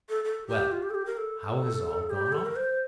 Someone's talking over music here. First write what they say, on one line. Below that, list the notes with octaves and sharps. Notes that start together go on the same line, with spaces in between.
"Well, how has all gone off?"
A4
A4
G4
F4
G4
A4
G4
A#4
A4
G4
A4
A#4
C5